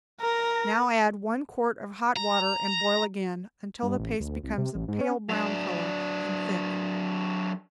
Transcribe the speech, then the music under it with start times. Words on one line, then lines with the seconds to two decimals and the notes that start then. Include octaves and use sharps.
Now add one quart of hot water and, boil again, until the paste becomes a pale brown color, and thick.
0.21 A#4 A#5
2.16 A#5
3.83 G2
3.99 A1
4.20 D2
4.44 C2
4.58 C3
4.75 A1
4.88 G#2
5.01 C#4
5.29 F#3 D4